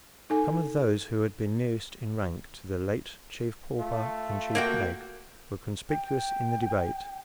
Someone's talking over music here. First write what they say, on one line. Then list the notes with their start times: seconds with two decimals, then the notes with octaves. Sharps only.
Some of those who had been nearest in rank to the late Chief Pauper and Chief Hag were conspicuous in the debate.
0.30 D#4 A4 G#5
3.79 A3 F4
4.55 A#3 F#4 G5
5.90 G5